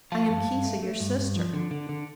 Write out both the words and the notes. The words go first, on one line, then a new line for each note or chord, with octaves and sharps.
I am Kisa, your sister!'
F3 F5 A5
G2
G2
A3
A3
G2
G2
F3
D3
D3
D3